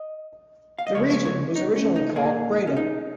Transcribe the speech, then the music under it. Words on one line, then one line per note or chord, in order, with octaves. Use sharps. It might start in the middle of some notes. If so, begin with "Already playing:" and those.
The region was originally called Breda.
Already playing: D#5
F5
D#5
F2 C#3 F3 G#3 C#5
C#5
C#5
D#4
C#4
D#4
A#2 A#3 G#4
C#4
D#4